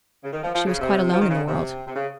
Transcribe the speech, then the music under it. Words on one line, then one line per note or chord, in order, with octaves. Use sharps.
She was quite alone in the world.
C#3
D#3
F3
F3
C#3
C3
F3
D#3
C#3
C3
C3
C#3